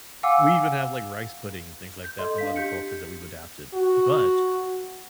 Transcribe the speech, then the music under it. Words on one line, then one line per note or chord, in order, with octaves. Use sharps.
We even have, like, rice pudding and things like that from other cultures that we've adapted, but,
F5 F#5 G#5 D6 E6
G6
A4 D#5 C6
D4 F5 B6
G4 G6 C#7
F#4